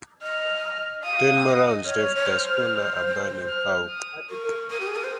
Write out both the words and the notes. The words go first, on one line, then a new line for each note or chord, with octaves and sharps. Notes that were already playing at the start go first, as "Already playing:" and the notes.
Ten more rounds left the schooner a burning hulk.
D#5 F6
F5 D#6
D#5
C#5 F6
C#5
C5
F6
D#6
A#4 C#6
A#4 D#6
G4
G#4
A#4
C5